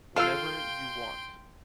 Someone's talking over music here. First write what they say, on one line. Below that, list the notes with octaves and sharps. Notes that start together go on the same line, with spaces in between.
Whenever you want.
F4 A4 F5 G5 C6 E6